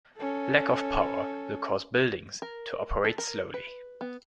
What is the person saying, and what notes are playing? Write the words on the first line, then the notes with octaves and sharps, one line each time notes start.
Lack of power will cause buildings to operate slowly.
C#4 A4
A#4
A4
A#4
B4
B3